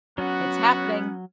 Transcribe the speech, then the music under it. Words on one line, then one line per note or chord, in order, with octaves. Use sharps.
It's happening.
F#3 B3 C#4 F#4